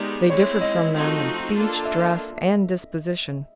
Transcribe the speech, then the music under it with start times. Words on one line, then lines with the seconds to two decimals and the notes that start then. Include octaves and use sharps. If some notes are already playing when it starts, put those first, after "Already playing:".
They differed from them in speech, dress, and disposition.
Already playing: G#3 B3 D#4 G4 A#4 D5
0.30 G#3 C4 E4 C#5
0.61 D#5
0.92 F3 A3 C4 D#4 F#4
1.55 A#3 D4 F4 A4
1.85 E5